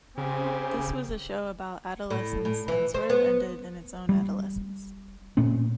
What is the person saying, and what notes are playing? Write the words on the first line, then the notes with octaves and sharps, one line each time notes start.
This was a show about adolescence and sort of ended in its own adolescence.
C#3 C4 G4 G#5
A2
A2
E3
C5
B3
G3
A#2 A3 C4 C#4